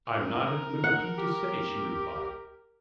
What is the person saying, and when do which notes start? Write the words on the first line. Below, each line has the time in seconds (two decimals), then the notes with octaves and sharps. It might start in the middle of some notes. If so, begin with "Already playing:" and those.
"I'm not at liberty to say," she replied.
0.12 A#4
0.84 F#5
1.18 G4